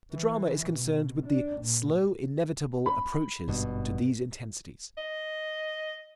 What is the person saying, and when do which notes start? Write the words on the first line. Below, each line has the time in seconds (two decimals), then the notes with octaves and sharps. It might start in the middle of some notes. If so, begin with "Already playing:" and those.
The drama is concerned with the slow, inevitable approaches to these intensities.
0.12 E3
0.71 B2
1.26 D4
1.61 A#2
2.86 B5
3.48 G#1 G2 B2
4.97 D#5